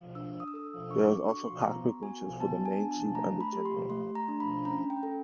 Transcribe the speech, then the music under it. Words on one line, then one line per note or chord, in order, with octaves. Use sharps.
There are also cockpit winches for the mainsheet and the genoa.
D4 E6
D#6
E6
A4 D#6
D4 C#6
D6
F#4 C#6
C6
B3 A#5
F#4 G#5
B3 A5
G#5
D4
A5
A3 A#5
B5
G4
C6
A3 C6
A#5
D4
B5
C#4 A#5
G5
A4